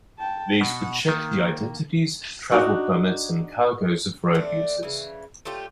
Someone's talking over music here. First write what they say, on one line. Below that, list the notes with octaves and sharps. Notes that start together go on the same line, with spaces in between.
These would check the identities, travel permits and cargoes of road users.
G5 A5
B2 F#5
D#3 A#3
D4 D#4 F#4
A3 C4 D4
C#3 E3
A3 C#4 F4 G4